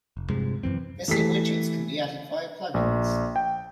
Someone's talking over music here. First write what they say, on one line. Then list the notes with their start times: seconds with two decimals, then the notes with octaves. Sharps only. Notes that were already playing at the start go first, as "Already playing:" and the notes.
Missing widgets can be added via plugins.
0.17 F1
0.30 G2 C3 F3 G#3
0.63 F#2 E3 C4
1.08 E3 A3 G4 B6
2.74 A#1
3.36 G5